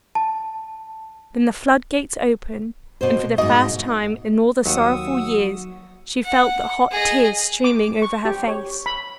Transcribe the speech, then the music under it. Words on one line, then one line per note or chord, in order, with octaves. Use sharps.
Then the floodgates opened, and for the first time in all the sorrowful years, she felt the hot tears streaming over her face.
A5
B2 C5
G#2 B2 D#5
D#2 F#3 F#5 C#6 D#6 E6
F#5
G#4 D#5
D6
C#6
G4
C#5
B5